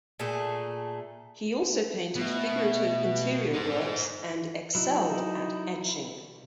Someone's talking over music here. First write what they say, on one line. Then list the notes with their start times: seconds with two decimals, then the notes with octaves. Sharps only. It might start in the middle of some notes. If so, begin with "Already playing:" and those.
He also painted figurative interior works and excelled at etching.
0.19 A#2 A3 G#4 A4
2.16 B2 A3
3.55 D#4 C5
4.75 C2 F#3 D#4 E4